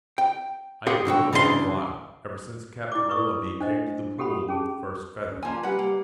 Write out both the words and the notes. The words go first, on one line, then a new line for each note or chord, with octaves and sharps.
I have known a long while, ever since Captain Willoughby came to The Pool with the first feather.
G5
G4 G#4 F5 F#5 C6
B1 D3 F#4 G5
C#3 E3 D4 F#4 C6
E4 D5 D6
E4 B4 D5 C#6 D#6
D4 C5 D#5
F#4 G4 A4 F#5 B5
C#4 G#4 A5
C#4
F3 A#3 G#5
G3 B4 F#5
A#3